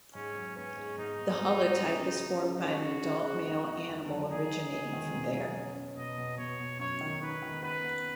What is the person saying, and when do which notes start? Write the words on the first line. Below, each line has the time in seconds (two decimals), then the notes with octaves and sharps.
The holotype is formed by an adult male animal originating from there.
0.14 G#2 C#4
0.36 F#3
0.56 B3 C#4
0.76 G#2
0.98 G#2 D#4
1.19 G#2
1.39 B3
1.61 B3
1.82 C#3
2.02 C#3
2.23 C#3
2.43 C#3
2.64 C#3 F#4
2.85 C#3
3.06 C#3
3.27 G#3
3.47 D#4
3.68 D#4
3.89 D#3
4.09 F#3
4.30 D#4 G#4
4.52 D#4
4.72 D#4
4.93 D#3
5.13 B2
5.34 F#3
5.55 C#4
5.76 C#4
5.96 B2 D#5
6.18 B2
6.38 B2 C#5
6.59 B2
6.79 F#2 C#5
7.01 D#3
7.21 D#4 B4
7.42 D#3
7.62 B3 B4
7.84 B3